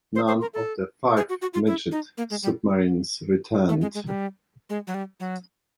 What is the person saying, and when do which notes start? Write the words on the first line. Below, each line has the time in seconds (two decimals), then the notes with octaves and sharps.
None of the five midget submarines returned.
0.15 C5
0.28 C5
0.41 A#4
0.54 A4
1.17 G#4
1.29 F#4
1.42 F#4
1.54 F4
1.67 E4
1.92 D#4
2.18 A#3
2.30 G#3
2.43 G3
3.69 A3
3.81 G#3
3.94 G#3
4.07 G3
4.70 G#3
4.87 F#3
4.94 G3
5.20 F#3